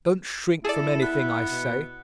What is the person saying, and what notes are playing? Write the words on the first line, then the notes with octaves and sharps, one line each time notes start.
Don't shrink from anything I say.
E4 G#4 A4 D5
B3 B6
B2